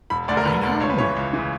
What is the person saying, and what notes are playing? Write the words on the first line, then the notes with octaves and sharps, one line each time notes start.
I know.
E1 B5
D2 D3 D5
A#4
E1 B4
D2 D3
C#2 C#5
B4
C#3 E3 C#5
C#2
C#3 E3